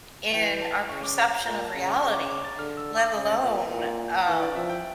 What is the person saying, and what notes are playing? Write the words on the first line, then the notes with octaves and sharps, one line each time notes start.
in our perception of reality, let alone, um,
E3 G5
G5
A5
C#3 C#6
D6
A#5
A#5
A#2 A#5
A5
C#3
A#5
C#3 C#6
D6
C#6
D6
A6
D3 F6
E6
D6
C#3
A#2
A#2
E3 C#6
D5
F3 E5
G5